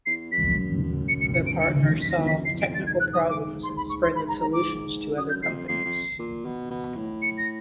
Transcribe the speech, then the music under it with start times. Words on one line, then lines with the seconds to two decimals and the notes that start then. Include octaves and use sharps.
The partners solved technical problems and spread the solutions to other companies.
0.06 E2 C7
0.31 F2 B6
0.57 F#2
0.83 F#2
1.08 C#7
1.21 C#7
1.34 C#7
1.46 D7
1.60 G2 C#7
1.85 F#2 A#6
2.01 B6
2.10 F2 A#6
2.23 F#2 B6
2.37 F#2
2.45 C7
2.49 E2
2.61 F2 D7
2.75 A6
2.87 G#2 G#6
3.00 F#6
3.13 G#2 D#6
3.29 D6
3.63 C6
3.77 B5
3.90 C#6
4.03 C6
4.16 B5
4.28 A#5
4.41 A#5
4.53 D6
5.17 F#2 D#6
5.29 G6
5.43 F2 C7
5.68 F2 C7
5.85 F2
6.19 A#2
6.45 B2
6.70 B2
6.96 A2
7.22 C#7
7.38 A#6